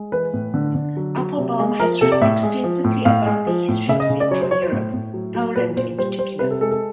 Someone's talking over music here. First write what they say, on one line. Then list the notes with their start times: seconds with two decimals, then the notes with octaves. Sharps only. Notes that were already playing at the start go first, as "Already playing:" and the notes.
Applebaum has written extensively about the history of central Europe, Poland in particular.
Already playing: G#3
0.12 E3 B4
0.33 A2
0.54 D3
0.75 D3
0.97 F#3
1.17 F#3
1.38 C3
1.59 G#3
1.79 F3 A#4
2.01 C3 A4
2.12 D5
2.21 A2 E5
2.43 G#3
2.64 F3
2.84 A2
3.05 A2 F5
3.26 G#3
3.47 F3
3.68 A2
3.88 C#3 E5
4.00 D#5
4.10 C#3
4.20 D5
4.31 F#3 C#5
4.41 C5
4.51 F#3 C#5
4.62 C5
4.72 A2
4.93 A2
5.14 F#3
5.35 F#3
5.56 A#2 B4
5.77 A#2 C5
5.98 G3 C5
6.18 G3 C5
6.39 C3 B4
6.50 A4
6.61 G#3 A4
6.71 A4